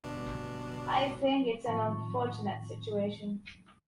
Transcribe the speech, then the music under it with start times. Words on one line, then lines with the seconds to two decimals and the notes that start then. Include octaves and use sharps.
I think it’s an unfortunate situation.
0.04 G1 B2 D4
1.66 A2 D#3 F3 C4 A5 C#6